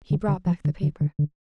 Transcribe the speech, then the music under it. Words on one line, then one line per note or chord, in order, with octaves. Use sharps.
He brought back the paper.
D3
D3
F3
D3
D3
D3
D3